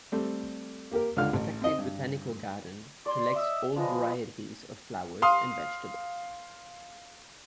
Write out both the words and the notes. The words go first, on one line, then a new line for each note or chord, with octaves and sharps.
The Protective Botanical Garden collects old varieties of flowers and vegetables.
G3 A3 C4
A#3 G4 A#4
C#2 D3 F4 F5 F6
A1
C4 D#5
G2
D5 C6
D#5 E5
F3 G#3 B4 D#5
F5 C6 D#6